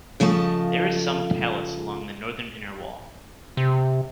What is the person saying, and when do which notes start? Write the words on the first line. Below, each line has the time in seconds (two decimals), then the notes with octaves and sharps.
There is some talus along the northern inner wall.
0.20 C#3 F3 A3 D#5 A5
3.57 C3